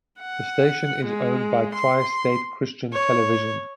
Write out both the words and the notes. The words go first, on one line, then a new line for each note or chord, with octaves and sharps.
The station is owned by Tri-State Christian Television.
F#5
G#3
C6
C#5